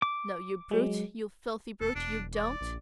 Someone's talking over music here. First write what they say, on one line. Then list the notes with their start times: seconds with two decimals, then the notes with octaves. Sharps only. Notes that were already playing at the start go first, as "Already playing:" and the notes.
No, you brute, you filthy brute, you don't!
0.02 D6
0.71 F#3 G#3
1.81 E1 A4
1.95 E1 D4
2.35 D5
2.61 A#1